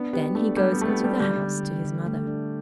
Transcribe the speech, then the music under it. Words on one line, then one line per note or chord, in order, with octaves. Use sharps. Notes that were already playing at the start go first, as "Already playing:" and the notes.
Then he goes into the house to his Mother.
Already playing: B3 D4
B3 G4
A3 D4
G3 D4
B3
A3 G4
B3
G3 G4
D3 G3
D3
D3
D3
A3
D4